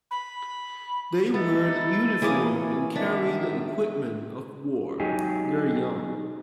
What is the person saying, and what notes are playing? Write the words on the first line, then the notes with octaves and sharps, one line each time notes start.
They wear the uniform and carry the equipment of war; they are young.
B5
B3 D#4 E4 A4
C3 E3 A#3 C#4 G#4 D6 D#6
F#2 D#3 D4 E5
F#3 D#4 G4 G#4